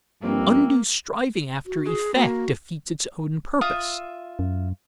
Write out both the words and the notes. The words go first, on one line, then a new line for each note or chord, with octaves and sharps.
Undue striving after effect defeats its own purpose.
A#1 G2 A#3 C4
F#4
G#4
A#3 F#4
F4 E5 D#6
F#2